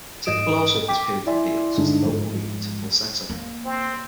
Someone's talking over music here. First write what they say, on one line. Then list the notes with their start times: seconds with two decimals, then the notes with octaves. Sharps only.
Typical also of this period of the Beatles is the vocal leap into falsetto.
0.25 G#2 D#5 D#6 D7 E7
0.88 G5 D6 B6
1.26 E4 D5 E5 G#5 C6
1.77 G2 D3 G#3 D4 D#4
2.03 G#2 F3 G#3
3.30 A#3
3.65 C4